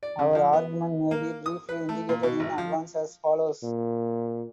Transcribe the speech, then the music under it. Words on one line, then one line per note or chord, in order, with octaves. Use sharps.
Our argument may be briefly indicated in advance as follows.
D5
C#3
F3
B3
A#3
D#6
B4
A3
A#2
B2
G#1
F3
A#2